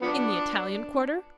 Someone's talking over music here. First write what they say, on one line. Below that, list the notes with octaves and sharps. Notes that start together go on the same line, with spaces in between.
"In the Italian Quarter?"
F3 B3 D4